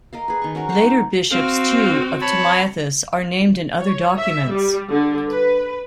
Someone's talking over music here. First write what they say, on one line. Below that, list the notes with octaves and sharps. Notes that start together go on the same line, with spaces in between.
Later bishops too of Tamiathis are named in other documents.
A#4 D#5 F5
G#4 B4
D#3 C#6
C#4 F#4 A#4
C5 F#5 A#5 C#6
D#4
C4 F#4 F5
C#5 A5 B5
C#5
E5
G3
D3
B4